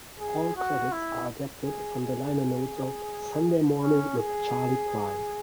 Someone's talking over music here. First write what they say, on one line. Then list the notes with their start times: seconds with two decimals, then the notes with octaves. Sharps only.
All credits are adapted from the liner notes of "Sunday Morning with Charley Pride".
0.20 G#4
0.56 F#4
0.92 E4
1.65 G#4
2.01 G#4
3.81 C#4
4.18 G#4